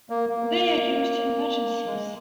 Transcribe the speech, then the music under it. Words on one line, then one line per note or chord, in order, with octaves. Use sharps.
They are used in emergencies.
A#3
A#3
G#3